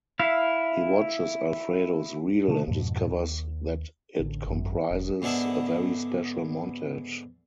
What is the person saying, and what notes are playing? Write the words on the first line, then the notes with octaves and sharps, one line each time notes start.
He watches Alfredo's reel and discovers that it comprises a very special montage.
E4 E5 F5
B2 D3 G#3 A3
F2 G#2 B2 F3
D#2
A1 D3
G#1 F#2
E1
G#2 D3 B3 D5 E5 A5